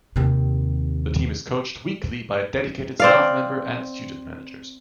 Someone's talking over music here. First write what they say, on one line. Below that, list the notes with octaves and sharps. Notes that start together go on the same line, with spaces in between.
The team is coached weekly by a dedicated staff member and student managers.
D#2 C3
C4 D5 F5